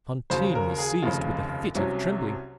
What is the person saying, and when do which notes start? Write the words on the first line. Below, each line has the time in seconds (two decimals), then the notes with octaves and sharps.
Fantine was seized with a fit of trembling.
0.30 D#2 C#3 F#3 C5
0.55 A#4
0.78 G#4
1.02 F1 D#2 C#3 F3 F4
1.75 C2 C3 F#3 C#4